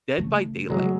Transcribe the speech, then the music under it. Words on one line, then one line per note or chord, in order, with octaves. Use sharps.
Dead by Daylight.
C#3 E3 A3
C#3 E3 F#3 G#3 A3